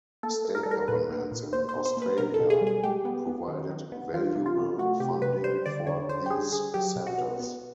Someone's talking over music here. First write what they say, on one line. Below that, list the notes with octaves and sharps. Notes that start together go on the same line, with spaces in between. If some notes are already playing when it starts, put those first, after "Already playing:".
State governments in Australia provided valuable funding for these Centres.
A#3 A4
A#3
A#4
G3 A4
A#4
A#2 B4
A#3
A#2
A#3 C5
C5
B2
C5
A#3 B4
B2 A#4
A4
B2
G#4
G3
G#4
G#3 G4
B3
B3
D#3
D#3
B3
E3 F4
C3
F4
C3
A3 F#4
C3 G4
C3 B4
G3 C5
D3 D5
D3 C#5
D3 C5
G4
G3 G#4
D3 G#4
F#3 G4
B2
F#4
B3
B3